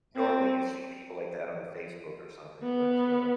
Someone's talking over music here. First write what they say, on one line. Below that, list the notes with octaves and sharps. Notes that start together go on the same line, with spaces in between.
Normally, you see people like that on the Facebook or something, but, uh
C4
B3